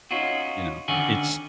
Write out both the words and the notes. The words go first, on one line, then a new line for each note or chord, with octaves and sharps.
you know, and it's
C#4 D#4 F4 F#4
D3 D#3 C#4 F#5 G#5